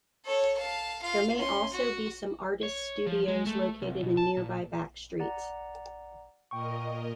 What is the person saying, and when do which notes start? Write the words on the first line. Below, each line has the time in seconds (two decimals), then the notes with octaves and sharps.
There may also be some artists' studios located in nearby back-streets.
0.25 A4 C#5
0.57 F5 A5
1.02 F4 F5
1.37 C#4 C6
1.72 F#4
2.63 C#5
3.07 F3
3.28 G#3
3.46 A3
3.82 C2
4.03 B2
4.17 A5
4.37 A#2
5.20 D5 F#5 A#5
6.51 A#2 A#4 D#5 G5 C#6